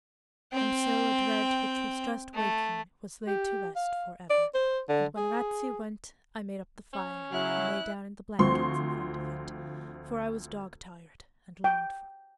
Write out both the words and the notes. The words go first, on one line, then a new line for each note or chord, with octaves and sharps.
And so a dread which was just waking was laid to rest for ever; and when Ratsey went I made up the fire, and lay down in the blankets in front of it, for I was dog-tired and longed for sleep.
C4 G5
A3
G4
F5
D5
C5
D3
G#4
C#4
C#3 F#3 E4 F#6
D2 F3 C4 C6 C#6
G5